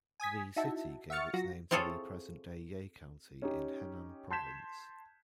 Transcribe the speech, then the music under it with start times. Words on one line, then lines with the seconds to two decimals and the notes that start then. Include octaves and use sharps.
The city gave its name to the present-day Ye County in Henan Province.
0.20 G#5 D#6 G#6 B6
0.56 D#4 E4 F#4 E5 A5
1.10 E5 F#5 C#6 F6 A6 C#7
1.33 F#3 F4 F#4 A#6
1.71 C4 E4 F4 G#4 A4 C#5
3.42 C#4 D#4 G4
4.30 A5 C6 G6 G#6 B6 E7